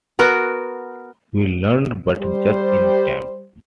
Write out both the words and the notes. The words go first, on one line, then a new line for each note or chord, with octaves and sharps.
We learned but just in time.
B3 F#4 A#4
G3 C5